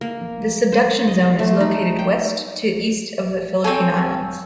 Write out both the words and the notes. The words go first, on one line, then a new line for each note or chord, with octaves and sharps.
The subduction zone is located west to east of the Philippine Islands.
A#3
C5
D#5
C5
A3
D#4
G5
C4 A4 C#5 G#5